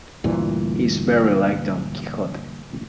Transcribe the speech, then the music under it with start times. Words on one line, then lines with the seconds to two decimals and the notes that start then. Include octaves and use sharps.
He is very like Don Quixote.
0.24 D2 G2 A#2 E3